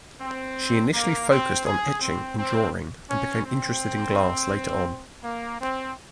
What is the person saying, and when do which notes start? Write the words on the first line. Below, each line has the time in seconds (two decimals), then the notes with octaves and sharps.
She initially focused on etching and drawing and became interested in glass later on.
0.21 C4
0.93 A#3
1.29 C4
1.65 G#4
2.01 C4
2.37 C4
3.09 C#4
3.45 C4
5.24 A#3
5.60 C4